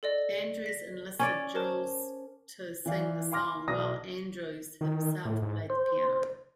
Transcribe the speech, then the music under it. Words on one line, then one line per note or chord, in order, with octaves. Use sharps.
Andrews enlisted Jules to sing the song, while Andrews himself played the piano.
A4 D5 D#5
A#6 B6
C#4 C#5 D5
A#4 C5 A5
E3 D5 F5 G#5
F5 G#5 C6 D6 F6 A#6
B1 D5 D#6 A#6
D#3
A2
G#2
C5